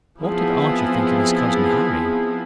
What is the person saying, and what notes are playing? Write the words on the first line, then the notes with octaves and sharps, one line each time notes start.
What did Archie think of his cousin Harry?
F3 B3 C4 E4 G#4